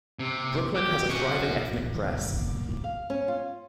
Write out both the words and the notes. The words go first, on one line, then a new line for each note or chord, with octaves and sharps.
Brooklyn has a thriving ethnic press.
C3
G4
C#4 F#4
F5
C#4
F4